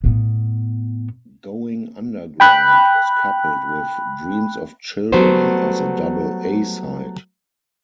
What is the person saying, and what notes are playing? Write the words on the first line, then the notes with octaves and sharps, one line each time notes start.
"Going Underground" was coupled with "Dreams of Children" as a double A side.
A2 B3
G5 B5 F#6
F#3 G3 A3 B3 C5